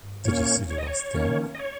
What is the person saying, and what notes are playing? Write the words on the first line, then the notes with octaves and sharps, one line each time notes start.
Did you see the last game?
A#2 A#3 C#4 C#5
C#5
D#5
C#5
D#3 A#3 C#4
D#5
C#5